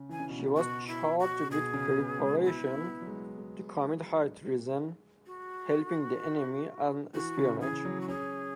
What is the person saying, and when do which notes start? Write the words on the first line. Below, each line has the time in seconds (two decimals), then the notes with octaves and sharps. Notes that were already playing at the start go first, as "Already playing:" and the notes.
She was charged with "preparation" to commit high treason, helping the enemy and espionage.
Already playing: C#3
0.09 E3 G#5
0.20 C#3
0.29 B2
0.39 C#3
0.56 B2 F#4
0.87 E4
1.19 F#4
1.51 B2 G#4
1.74 C#3
1.98 B3
2.21 G#3
2.44 B3 E4
2.75 B3
3.01 F#3
3.07 G#3
3.38 G#3
5.26 F#4
7.14 E3 F#4
7.37 C#3
7.61 E3 G#4
7.85 F#3
8.01 F#4
8.08 C#4 G#4